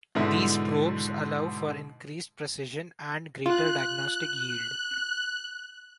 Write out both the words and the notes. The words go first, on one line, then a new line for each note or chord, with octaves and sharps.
These probes allow for increased precision and greater diagnostic yield.
G#2 B2 D3 E4
F4 F#6